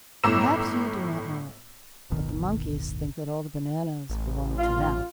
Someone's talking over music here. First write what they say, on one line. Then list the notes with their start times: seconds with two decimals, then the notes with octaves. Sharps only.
Perhaps you do not know it, but the monkeys think that all the bananas belong to them.
0.24 G1 A2 A#5 D6 E6 E7
2.10 D1 G1 B2 D#3
4.09 A1
4.58 F4